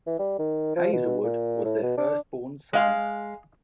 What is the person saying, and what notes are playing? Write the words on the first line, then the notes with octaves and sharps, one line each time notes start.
Hazelwood was their first-born son.
E3
G3
D#3
F3
B2
A#2
A2
B2
D4
G#3 F5